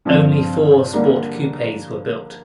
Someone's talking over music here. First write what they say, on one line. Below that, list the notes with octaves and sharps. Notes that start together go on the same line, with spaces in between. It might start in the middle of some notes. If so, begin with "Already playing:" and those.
Only four Sport Coupes were built.
G2 F3 C4
D3 G3 A#3 D4